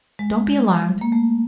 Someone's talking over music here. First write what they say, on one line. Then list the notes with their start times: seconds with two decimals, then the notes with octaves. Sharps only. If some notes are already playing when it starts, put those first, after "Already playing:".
Don't be alarmed.
0.19 G#3
1.01 A#3
1.12 A3